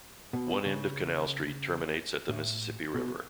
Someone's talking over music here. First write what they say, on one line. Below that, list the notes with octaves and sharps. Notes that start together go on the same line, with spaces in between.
One end of Canal Street terminates at the Mississippi River.
B2
C#3
A2
B2